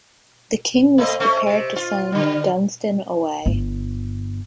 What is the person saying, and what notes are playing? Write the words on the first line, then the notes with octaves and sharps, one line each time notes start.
The king was prepared to send Dunstan away.
A3 C4 D#5
A3 C4 C#4
C3
F4
D3 G3
G1